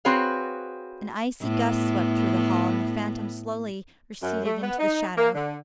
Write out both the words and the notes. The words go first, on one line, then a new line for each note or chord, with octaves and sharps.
An icy gust swept through the hall, and the phantom slowly receded into the shadow.
C4 F#4 G#4 B4 C#5 F5
A2 B3
F#2
A3
B3
D#4
A#3
D3